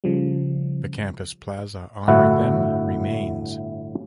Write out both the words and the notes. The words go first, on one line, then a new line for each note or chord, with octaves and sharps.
The campus plaza honoring them remains.
C#3 F3 G3
G1 A2 E4 F#4 F#5